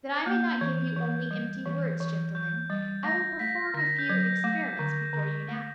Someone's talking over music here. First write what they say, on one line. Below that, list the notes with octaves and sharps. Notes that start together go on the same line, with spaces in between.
That I may not give you only empty words, gentlemen, I will perform a few experiments before you now.
G#6
A#3 G6
E3 G#6
E3
G3
E3
E3
E3 G6
G3 A6
A3 A#6
A3 B6
D3 A#6
G6
F#3 G#6
A3 D6
D3 C#6
D3
A3